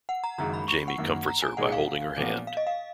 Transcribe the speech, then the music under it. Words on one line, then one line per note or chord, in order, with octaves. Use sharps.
Jamie comforts her by holding her hand.
F#5
A#5
F#1 F#2 D#3 G#3 A#5
B5
C#6
F#5
F#2 D#3 A#3
A#5
G#5
A#2 G#3 D#4 G#4 F#5
F5
A#2 F3 B3
F5
D#5
F5